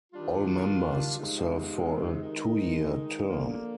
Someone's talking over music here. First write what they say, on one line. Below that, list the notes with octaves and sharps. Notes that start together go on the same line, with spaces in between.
All members serve for a two-year term.
D#3 G3 D4 F4
C3 F3 G#3 D#4
D#3 G#3 D#4
D3 F3 A#3